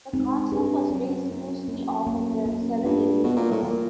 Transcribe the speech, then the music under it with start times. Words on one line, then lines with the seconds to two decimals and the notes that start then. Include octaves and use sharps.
The concept was based loosely off of The Seven Deadly Sins.
0.13 G#2 C4
0.52 G2 G#4
0.90 F#2 C4
1.29 F#2 E4
1.68 F#2 A#3
2.07 A#3
2.46 F#2 A#3
2.84 G2 F4
3.24 B2 G3
3.37 A#2
3.51 A2
3.63 A#2 E3